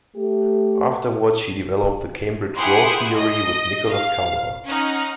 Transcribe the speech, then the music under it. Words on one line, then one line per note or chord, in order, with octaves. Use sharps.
Afterwards she developed the Cambridge growth theory with Nicholas Kaldor.
A3 G4
E4 G4 G#4 F#5 C6
D#5
F5
C#4 D#4 F#5 F6